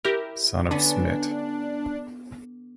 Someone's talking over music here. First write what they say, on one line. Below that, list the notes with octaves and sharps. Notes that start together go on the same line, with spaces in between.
Son of Smt.
E4 G4 A#4
D3 B3 C#4 D4